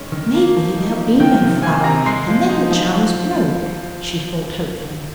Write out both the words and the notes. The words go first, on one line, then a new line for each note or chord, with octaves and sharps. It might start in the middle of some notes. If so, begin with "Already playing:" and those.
'Maybe there'll be no flower, and then the charm's broke,' she thought hopefully.
Already playing: D#3 G#3 C#4
D#3
A#3
F3
D#4
F3
D#3 G5 G6
C3
A#3 G#5 G#6
C3 A#5 A#6
G#3 C6 C7
F3
D#4
F3
F3